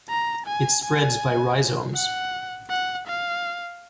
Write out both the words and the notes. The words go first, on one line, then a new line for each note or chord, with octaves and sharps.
It spreads by rhizomes.
A#5
G#5
G#5
F#5
F#5
F5